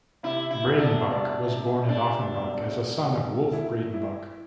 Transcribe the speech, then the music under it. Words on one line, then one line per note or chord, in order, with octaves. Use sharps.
Breidenbach was born at Offenbach as a son of Wolf Breidenbach.
C3 E4
E4
E1
D4
C3
C3
C3 D4
E1
E1
E1
E4
E4